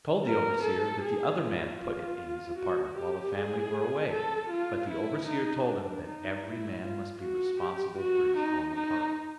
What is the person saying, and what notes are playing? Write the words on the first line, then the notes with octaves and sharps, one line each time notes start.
He told the overseer that the other man put it in his apartment while the family were away, but the overseer told him that every man must be responsible for his own apartment.
A#4
A4
G#4
F4
F4
F#4
G4
G#4
A4
F4
E4
D#4
D4
D#4
E4
F4
F#4
G4
F#4
D#4
D#4